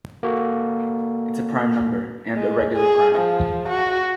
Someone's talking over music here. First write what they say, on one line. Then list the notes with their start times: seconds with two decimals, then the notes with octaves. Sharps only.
It is a prime number, and a regular prime.
0.23 A#3 F#4 A4
2.35 G#3
2.73 G#4
3.15 F3
3.69 F#4